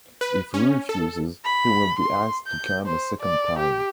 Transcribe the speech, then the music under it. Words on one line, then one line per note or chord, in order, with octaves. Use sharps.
If he refuses, he will be asked to come a second time.
B4
C#4
A4
B5
C6
G6
C5
D5
G4